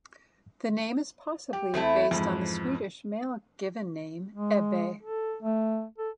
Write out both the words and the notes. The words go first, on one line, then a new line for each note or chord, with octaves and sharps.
The name is possibly based on the Swedish male given name Ebbe.
G4
E2 A3 C4 E4 A5
F2 G#2 E3
G#3
A4
A3
A4